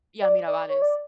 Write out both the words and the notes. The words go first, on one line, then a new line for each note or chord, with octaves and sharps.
Yeah, Mirabales,
D5
D5
C#5
D5